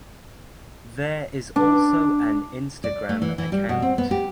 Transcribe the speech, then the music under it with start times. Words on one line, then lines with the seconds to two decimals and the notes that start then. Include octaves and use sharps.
There is also an Instagram account.
1.56 D4
2.84 D5
3.09 A3
3.22 E3
3.38 E3
3.52 G3
3.69 B2
3.82 C4
3.98 B3
4.11 G4